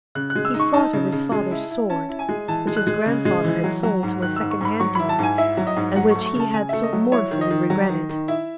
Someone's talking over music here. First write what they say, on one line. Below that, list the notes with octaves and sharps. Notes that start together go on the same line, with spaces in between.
He thought of his father's sword, which his grandfather had sold to a second-hand dealer, and which he had so mournfully regretted.
C#3 F#6
F#6
G#3
E6
D#4
C#6
D#4 A5
C#3
C#3
G#3
E4
E4
C#4 A5
E4
G#5
G#3
E3 A5
G#3
F#6
G#3
C#3
G#3
E3
F#3
F#3
G#2
D#3 F#6
G#2 E6
C#6
G#2 B5
F#3 C#6
E4 B5
A5
G#2 G#5
E4 E5
F#3
D#5
G#2
F#3 F#5
A3 C#6
C#6
C#3 A5
C#3 G#5
A3 E5
D#5
F#3
E4 C#5
D#3
D#5
D#3
F#3
D#3
D#3
E4 E5